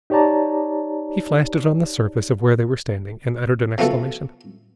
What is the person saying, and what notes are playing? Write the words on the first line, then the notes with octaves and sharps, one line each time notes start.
He flashed it on the surface of where they were standing, and uttered an exclamation.
D#4 G4 C#5 D5 A5 A#5
C#3 F3 A3 B3 F#4 A4